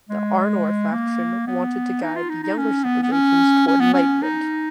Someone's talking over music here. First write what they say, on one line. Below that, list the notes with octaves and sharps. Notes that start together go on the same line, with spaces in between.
The Arnor faction wanted to guide the younger civilizations toward enlightenment.
G#3
A#3
B3
D#4
F4
D#4
D#4
C#4
B3
B3
C#4
C#4
B3
C#4
D#4